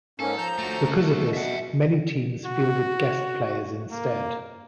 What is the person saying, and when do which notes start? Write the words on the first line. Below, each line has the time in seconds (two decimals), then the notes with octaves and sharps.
Because of this many teams fielded guest players instead.
0.20 G#2 A#3 C#4 A4
0.38 F3 A#5 G6
0.59 A3 F#4
1.12 B2
1.34 E5 F#5
2.46 F#4
3.91 A#3